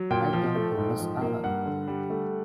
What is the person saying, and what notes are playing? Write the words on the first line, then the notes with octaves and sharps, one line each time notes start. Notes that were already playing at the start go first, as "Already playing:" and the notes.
I turned to Miss Allen.
Already playing: F#3
A#2 G5
F3
A3
G#2
F3
A#3
G2 F#5
D3
G3
A3